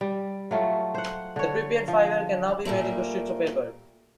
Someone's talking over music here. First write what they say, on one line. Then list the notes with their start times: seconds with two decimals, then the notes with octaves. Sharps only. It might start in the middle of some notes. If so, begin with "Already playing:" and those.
The prepared fibre can now be made into sheets of paper.
0.01 G3
0.51 F#3 A3 F4
0.94 C5 F#5
1.36 D3 C#5
1.88 F3
2.65 A#2 G3 A3 A#3